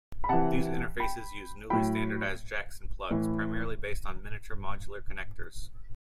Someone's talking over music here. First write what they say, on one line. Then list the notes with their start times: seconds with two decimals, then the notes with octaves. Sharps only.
These interfaces used newly standardized jacks and plugs, primarily based on miniature modular connectors.
0.24 B5
0.29 C3 E3 F#5 A5
1.00 G5 B5
1.70 A2 F#3 G5 B5
3.11 A2 E3